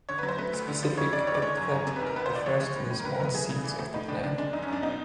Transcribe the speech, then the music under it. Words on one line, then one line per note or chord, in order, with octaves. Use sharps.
The specific epithet refers to the small seeds of the plant.
D3 C#5
B4
F#3
C5
A3 B4
D2
D3
F3
F2 C#5
F2 D5
D#3 C#5
D5
G#3 C#5
F#2
F#2
C3
B4
D#3
A#4
C#2 B4
C5
C#2 D5
F3 C#5
G#3
A2
A2
A#4
D3 B4
A#4
F#3
B4
A3 G#4
G2
E3
A3
A2 D#4
A2 D4
D#3 D4
G#3 D4
F#2 D#4
C#4
F#2 D4
B2 D#4